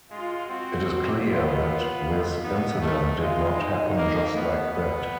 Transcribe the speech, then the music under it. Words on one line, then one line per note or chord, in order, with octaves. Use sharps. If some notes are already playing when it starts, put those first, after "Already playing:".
It is clear that this incident did not happen just like that.
G#3 F4
C4 F#4
B3 F4
F4
B3 D#4
A3 D#4
G#3 F4
D#4
A#3
A3 B3
B3